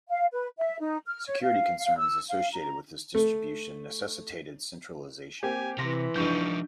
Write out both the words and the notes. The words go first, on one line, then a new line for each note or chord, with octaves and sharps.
Security concerns associated with this distribution necessitated centralization.
F5
B4
E5
D#4
F6
C#5
F5
E6
F5
A#5
A3
A#3 C4 G4 G#5
C3 E3 C6 A#6 B6
C2 F3 D4 D#4 C#6 G6